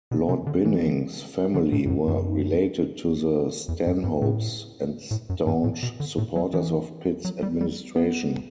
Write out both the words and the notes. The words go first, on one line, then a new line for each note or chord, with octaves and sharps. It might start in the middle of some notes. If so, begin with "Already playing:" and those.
Lord Binning's family were related to the Stanhopes and staunch supporters of Pitt's administration.
B2
C3
D3
E3
D3
A2
G2
F#2
F#2
E2
F#2
G2
A2
A2
F#2
G2
A2
B2
D3
A2
F#3
E3
F#3
G3
G3
B3